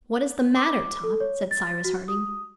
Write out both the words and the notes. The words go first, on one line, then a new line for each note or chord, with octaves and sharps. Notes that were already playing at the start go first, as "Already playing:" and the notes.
"What is the matter, Top?" said Cyrus Harding.
D6
A4
C#5
A6
F#4
D#6